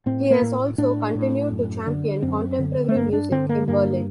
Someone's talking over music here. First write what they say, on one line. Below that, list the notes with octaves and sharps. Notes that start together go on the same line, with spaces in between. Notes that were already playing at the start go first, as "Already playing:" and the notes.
He has also continued to champion contemporary music in Berlin.
A2 C4
A#3
A2
A2 D4
A2
F#2
D3
F#2 C4
D3
A3
G2 A#3
D4
D3 C4
A#3
G2 A#3